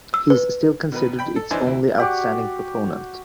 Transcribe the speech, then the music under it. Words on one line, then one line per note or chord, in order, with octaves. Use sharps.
He is still considered its only outstanding proponent.
E6
B4
B2 D#3 B4
G5 B5
A4
F2 E3 D4 D#4 C5 G#5
D2 E4
F#4 G4 D5